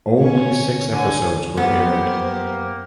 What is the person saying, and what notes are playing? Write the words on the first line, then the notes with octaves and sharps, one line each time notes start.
Only six episodes were aired.
D3 C#4 C#5
D3 G#5
F#2 A#3 B3 G4 C5